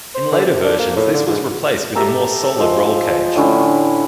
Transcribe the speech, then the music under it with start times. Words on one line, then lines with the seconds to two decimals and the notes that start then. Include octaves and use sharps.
In later versions this was replaced with a more solid roll cage.
0.15 C5
0.32 D3
0.46 C3
0.64 D4
0.79 A#3
0.96 A2
1.14 D3
1.26 G#2
1.95 G4 A4 E5 A#5
2.58 F3 G#3 C5
3.11 F3
3.36 A2 D3 C#4 E4